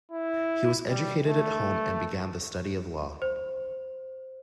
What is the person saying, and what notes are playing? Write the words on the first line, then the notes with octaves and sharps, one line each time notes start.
He was educated at home, and began the study of law.
E4
G3
A3
C5